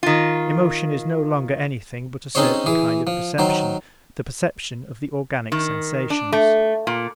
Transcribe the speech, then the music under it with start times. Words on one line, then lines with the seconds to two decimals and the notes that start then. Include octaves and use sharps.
Emotion is no longer anything but a certain kind of perception, the perception of the organic sensations.
0.03 D#3 F4
2.35 C4 C#4 D#4 G#4 C5 C#5
2.66 E3 G#4
3.07 F3
3.38 D#3 F#3 C5
5.52 D#3
6.10 D4
6.32 A3
6.87 A#2